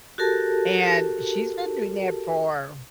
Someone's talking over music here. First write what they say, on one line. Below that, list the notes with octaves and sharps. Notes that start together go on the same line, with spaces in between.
And she's been doing that for
F#4 G4 A4 A#4 A5